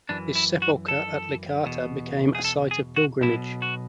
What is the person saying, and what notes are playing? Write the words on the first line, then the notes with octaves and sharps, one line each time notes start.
His sepulcher at Licata became a site of pilgrimage.
F#2 E3 D4
E4
F#4
A4
E2 B2
G#4
A4
G#4
F#4
B1 B2 E4
F#4